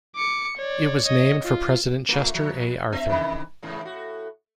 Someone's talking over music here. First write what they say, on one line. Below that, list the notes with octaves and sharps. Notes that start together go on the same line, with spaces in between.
It was named for President Chester A. Arthur.
D6 C#7
C#5 D5
C#5 D#5
F4
A3 F4
F3
B3 C#5 E5
C3 D#3 E3
E2 G#2 C#3
A2 F#4